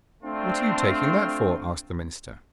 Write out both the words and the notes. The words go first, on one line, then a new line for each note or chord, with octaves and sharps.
'What are you taking that for?' asked the minister.
A3 C4 D4 F4